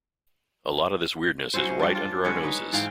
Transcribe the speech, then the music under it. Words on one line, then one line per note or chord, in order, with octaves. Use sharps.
A lot of this weirdness is right under our noses.
F#3 C#4 E4 C5
G3 D4
F4
D3 G#3 B4 C#5
D#4 B4
G#2 E3 F5 G5